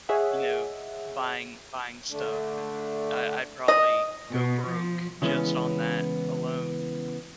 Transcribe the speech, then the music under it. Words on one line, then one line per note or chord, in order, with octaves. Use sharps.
you know, buying buying stuff and I I'd probably go broke just on that alone.
G#4 C#5 D#5 E5 F#5
D3 A3 D4
D#5
B2
F3
C#3 E3 G#3 B3 C#4